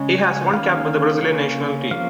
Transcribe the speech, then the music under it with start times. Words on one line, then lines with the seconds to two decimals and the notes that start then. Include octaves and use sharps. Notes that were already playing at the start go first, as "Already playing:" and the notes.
He has one cap with the Brazilian national team.
Already playing: C#3 G#3 C#4
0.18 G#5
0.53 D#3 A#3 C#4 F5
1.22 C#3 A#3 C#4
1.91 F3 A#3 C#4 F5